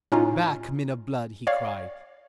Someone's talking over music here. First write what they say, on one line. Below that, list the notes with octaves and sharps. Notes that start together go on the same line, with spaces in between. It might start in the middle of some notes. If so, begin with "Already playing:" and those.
"Back, men of blood!" he cried.
A2 C#4 D#4 F4
C#5 D5 F5